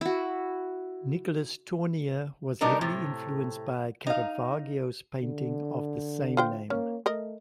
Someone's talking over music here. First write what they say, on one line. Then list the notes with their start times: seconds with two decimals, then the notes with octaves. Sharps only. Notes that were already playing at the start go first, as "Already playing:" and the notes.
Nicolas Tournier was heavily influenced by Caravaggio's painting of the same name.
0.01 E4 F#4
2.61 G3 B3 D4 D#4 A#4
2.81 A2 C3
4.07 D#4 F5
5.23 D3
6.37 F4 C5 G5
6.70 A#3 C#4
7.06 A3 A#4 D#5